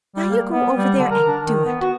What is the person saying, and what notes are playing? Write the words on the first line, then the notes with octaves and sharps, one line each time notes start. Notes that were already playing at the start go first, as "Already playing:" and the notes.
Now you go over there and do it!
G3
A#3
B3
G3
D3
A#4
D4
D#3
B3
F#4